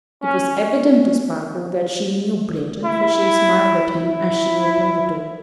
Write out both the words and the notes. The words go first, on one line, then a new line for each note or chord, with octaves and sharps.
It was evident to Spargo that she knew Breton, for she smiled at him as she opened the door.
C#4
E4
E4